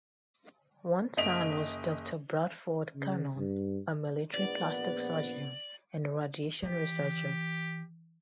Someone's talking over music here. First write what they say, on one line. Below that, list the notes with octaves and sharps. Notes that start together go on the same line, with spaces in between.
One son was Doctor Bradford Cannon, a military plastic surgeon and radiation researcher.
F#1 D#5 B6 D7 F7
C#3
G2
A#1 B3 D5
E3 G4